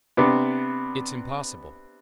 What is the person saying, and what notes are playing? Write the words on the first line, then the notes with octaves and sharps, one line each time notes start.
"It's impossible!"
C3 B3 D4